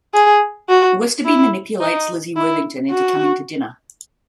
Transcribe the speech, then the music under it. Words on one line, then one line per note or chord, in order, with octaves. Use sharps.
Westerby manipulates Lizzie Worthington into coming to dinner.
G#4
F#4
E4
D#4
E4
F#4